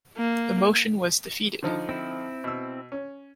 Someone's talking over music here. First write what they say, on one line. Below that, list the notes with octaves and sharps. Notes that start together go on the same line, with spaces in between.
The motion was defeated.
A#3
D3 F3 D#4
C4 E4
B2 E6
C#4